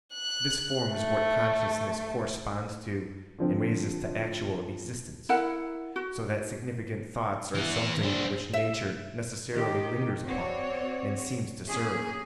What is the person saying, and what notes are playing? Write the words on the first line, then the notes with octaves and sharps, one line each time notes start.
This form is what consciousness corresponds to and raises to actual existence; so that significant thoughts are something which nature necessarily lingers upon and seems to serve.
F#6
A3
D3 F3 C4
E4 A#4 F#5
F#4
E3 B3
D4 C5
E5
D#3 G4
C4 F#4 C#5 D5
A#3 C#4 G#4